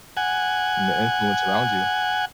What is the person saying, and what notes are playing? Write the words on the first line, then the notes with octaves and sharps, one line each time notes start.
And the influence around you.
F#5 G#5